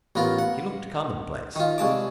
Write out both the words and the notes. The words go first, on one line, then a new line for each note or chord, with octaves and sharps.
He looked commonplace.
A1 B3 F4 A#4
F#5
D#3 F4
C2 G#3 A5 D6